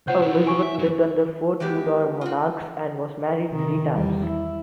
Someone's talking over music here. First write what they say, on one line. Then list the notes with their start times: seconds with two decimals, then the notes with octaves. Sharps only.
Elizabeth lived under four Tudor monarchs and was married three times.
0.07 C#2 F4 C5 C#5 F#5
0.22 E4 G4
0.47 G#5 C#6
0.62 E5
0.79 F2 F#3
1.60 E3 G#3 B3 G4
2.21 F4 F#4
3.52 C3 D#3
3.93 E2 G3
4.26 E4